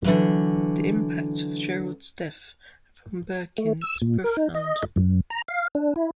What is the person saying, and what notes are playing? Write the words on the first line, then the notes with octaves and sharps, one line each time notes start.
The impact of Gerald's death upon Birkin is profound.
D3 E3 F#3
A3
E6
A#2
A#4
D#4
D#5
F#2
A#5
F5
D4
E4